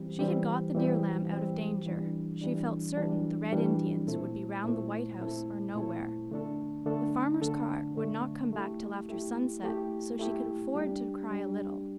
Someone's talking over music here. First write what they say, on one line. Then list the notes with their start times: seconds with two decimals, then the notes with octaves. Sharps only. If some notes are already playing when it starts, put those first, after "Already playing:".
She had got the dear Lamb out of danger - she felt certain the Red Indians would be round the White House or nowhere - the farmer's cart would not come back till after sunset, so she could afford to cry a little.
Already playing: E3 G3 C4 G4
0.19 E3 G3 C4 G4
0.75 E3 G3 C4 G4
1.30 E3 G3 C4 G4
1.86 E3 G3 D4
2.41 E3 G3 D4
2.97 E3 G3 D4
3.53 E3 G3 D4
4.08 A#2 A3 C4 E4 A4
4.64 A#2 A3 C4 E4 A4
5.19 A#2 A3 C4 E4 A4
5.75 A#2 A3 C4 E4 A4
6.31 D3 A3 D4 A4
6.86 D3 A3 D4 A4
7.42 D3 A3 D4 A4
7.97 D3 A3 D4 A4
8.53 A3 E4 G4
9.08 A3 E4 G4
9.64 A3 E4 G4
10.19 A3 E4 G4
10.75 G3 D4 G4
11.31 G3 D4 G4